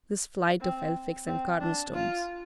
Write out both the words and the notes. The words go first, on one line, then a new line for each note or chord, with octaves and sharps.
"This flight of Elphick's and Cardlestone's."
C4
C4
D4
F4